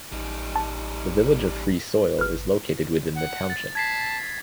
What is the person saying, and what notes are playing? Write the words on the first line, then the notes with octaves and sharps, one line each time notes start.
The Village of Free Soil is located within the township.
A1 G3 D#4
A5
G#1 B4 F6
F#5
A6
A5 G#6 B6 C7